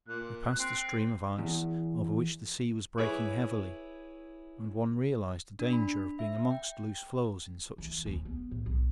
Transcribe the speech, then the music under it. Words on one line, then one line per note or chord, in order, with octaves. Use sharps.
We passed a stream of ice over which the sea was breaking heavily and one realised the danger of being amongst loose floes in such a sea.
A#2 F#6
C4
E2
E4 G#4 B4 C#5 D6
D4
B5
E5
G5
E3
D#2
B3
A2
B1